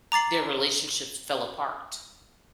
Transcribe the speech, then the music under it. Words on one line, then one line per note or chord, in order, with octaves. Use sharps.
their relationships fell apart
A#5 D6 A6 C7 F#7